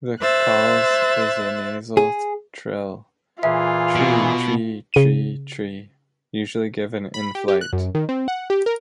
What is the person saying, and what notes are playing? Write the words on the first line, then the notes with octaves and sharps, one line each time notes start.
The calls is a nasal trill "tree-tree-tree-tree", usually given in flight.
C5 E5 F#6 A6
G#4
A#2 E3 F4 G#4 E5
B2
C#3 D#7
B5
G4
G4
F#6
F#2
D#3
C4
F#5
G4
A#4